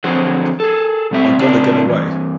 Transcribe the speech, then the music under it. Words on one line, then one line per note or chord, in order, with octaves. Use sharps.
I gotta get away.
D3 F3 F#3 C4 F#4 G#4
G#4 A4
B2 G3 C4 E5
C#3 C4 D4 E4 A#4
G2 E3